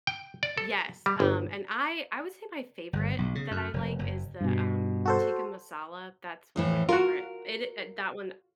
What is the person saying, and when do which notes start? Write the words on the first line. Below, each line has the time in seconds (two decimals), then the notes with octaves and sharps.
Yes, um, and I I would say my favorite that I like is the, um, tikka masala. That's one of my favorite. It i uh, that one
0.07 G5
0.43 D5
0.57 A4
1.06 G3
1.20 G1
2.93 G1
3.18 B1
3.35 C#3
3.51 F#2
3.74 F1
3.99 F#1
4.41 G2 B2
5.05 F#4 A4 C5
6.56 F2 A2 E3
6.89 F4 F#4 A#4